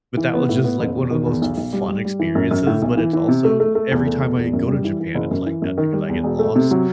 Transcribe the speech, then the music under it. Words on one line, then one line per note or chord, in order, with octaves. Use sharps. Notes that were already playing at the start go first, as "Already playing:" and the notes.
but that was just, like, one of the most fun experiences, but it's also, every time I go to Japan, it's, like, that because I get lost,
E3
B3
A2
B3
F#1
E2
D#3
E2
B1
B1
G3
G3
G3
E3
F#2
F#2
A2
B1
E3
E3
C3
A3
A3
A3
E2
A3
B2
E2
F#2
G3
E3
E3
F#1
F#2
E3
F#2
D#3
G3
E2
E1
A3
C3
F#3